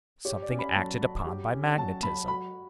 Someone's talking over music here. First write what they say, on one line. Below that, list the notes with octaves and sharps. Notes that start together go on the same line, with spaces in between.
Something acted upon by magnetism.
G4 C#5
D5
C#4
B5
F#3 A5
F#3
G4
C#4
F#3 A5
F#3 B5
F#4 B5